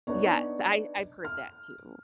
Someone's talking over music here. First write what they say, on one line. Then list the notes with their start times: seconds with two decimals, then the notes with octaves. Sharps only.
Yes, I I've heard that too.
0.07 B3 D4 D#4 C#5
1.25 F6